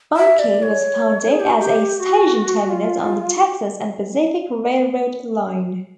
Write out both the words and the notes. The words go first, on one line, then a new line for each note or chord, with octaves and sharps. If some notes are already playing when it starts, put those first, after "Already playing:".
Bunkie was founded as a station terminus on the Texas and Pacific Railroad line.
E5
D5
C#5
G#4
G4
F#4
G4
F#4
F4